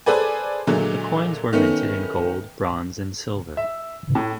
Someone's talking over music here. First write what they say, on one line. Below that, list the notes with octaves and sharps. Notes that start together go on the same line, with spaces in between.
The coins were minted in gold, bronze and silver.
G#4 A4 B4 C5 D5 G#5
A#2 D3 F#3 G#3 A3
D#3 A3 B3 C#4
E5
A2